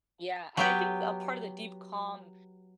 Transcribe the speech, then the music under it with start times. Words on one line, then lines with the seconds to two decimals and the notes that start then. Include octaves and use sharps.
Yeah, and I think a part of the deep calm,
0.57 F#3 B3 G4 B4